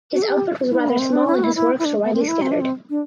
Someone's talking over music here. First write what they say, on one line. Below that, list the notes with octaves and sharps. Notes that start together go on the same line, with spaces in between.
His output was rather small and his works are widely scattered.
F#4
A4
G4
E4
D4
B3
C4
D4
E4
F#4
E4
E4
E4
D4
B3
C4
D4
E4
C4
D4
C4
D4